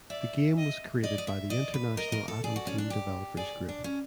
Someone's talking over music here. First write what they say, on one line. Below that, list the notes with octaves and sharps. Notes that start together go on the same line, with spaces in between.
The game was created by the international Atom Team developers group.
D5 E5
D#5
D5 D#5
D#5
E5
D5 D#5
B4
A#4 D#5
A#4
A4
G#4 D5
F#4
C#4
D4
G4
G#4 D5
D4
C#4